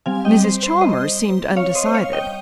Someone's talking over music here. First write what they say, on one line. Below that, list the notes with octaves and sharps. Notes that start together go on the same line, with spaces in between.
Mrs. Chalmers seemed undecided.
G3 C4 F5 G#5
D#5 G5
C5
C5
C5 D#5
C#5 F5
C5 D#5
C#5 F5
D#5 G5